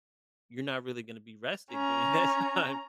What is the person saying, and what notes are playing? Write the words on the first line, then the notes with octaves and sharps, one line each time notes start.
you're not really gonna be resting during that time,
C#4 A#5